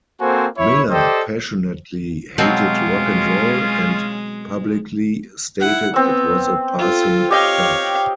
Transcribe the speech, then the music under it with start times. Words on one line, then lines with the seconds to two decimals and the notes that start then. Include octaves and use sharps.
Miller passionately hated rock and roll and publicly stated it was a passing fad.
0.21 A#3 C4 F#4 A4 C5 G#5
0.57 E4 C#5
0.89 G4 A4 C5 D5 D#5 G5
2.38 B2 F#3 G#3 C4 C#4 F4
5.60 E4 F#5
5.94 B3 C4 E6
6.78 F4 A4
7.31 G4 C#5 D#5 F5 G5